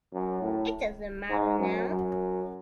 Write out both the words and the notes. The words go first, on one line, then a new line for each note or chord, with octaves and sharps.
It doesn't matter now.
F#2
A2
G#2
F#2
F#2